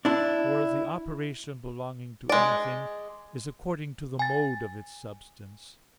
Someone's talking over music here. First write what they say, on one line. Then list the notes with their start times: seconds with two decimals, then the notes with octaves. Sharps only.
For the operation belonging to anything is according to the mode of its substance.
0.05 D4 E4
2.29 G#3 D5
4.19 G#5 A6